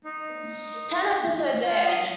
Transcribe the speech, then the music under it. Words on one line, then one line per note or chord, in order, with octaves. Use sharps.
Ten episodes aired.
D#4
F4
D#6